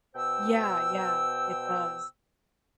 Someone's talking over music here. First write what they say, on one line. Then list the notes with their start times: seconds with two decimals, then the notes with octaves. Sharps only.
Yeah, yeah, it does.
0.15 B2 C5 G5 E6